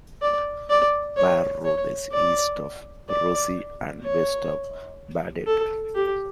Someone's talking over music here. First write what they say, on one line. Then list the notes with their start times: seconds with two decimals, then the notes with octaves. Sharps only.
Warroad is east of Roseau and west of Baudette.
0.22 D5
0.70 D5
1.17 C#5
1.65 C#5
2.13 D5
3.09 D5
4.04 C#5
5.47 A4
5.95 G4